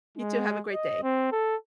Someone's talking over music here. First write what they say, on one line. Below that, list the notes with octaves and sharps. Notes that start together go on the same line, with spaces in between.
You too, have a great day.
G#3
D#5
C4
A4